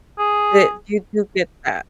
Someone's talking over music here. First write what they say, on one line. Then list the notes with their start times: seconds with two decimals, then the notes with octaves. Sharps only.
th you do get that.
0.19 G#4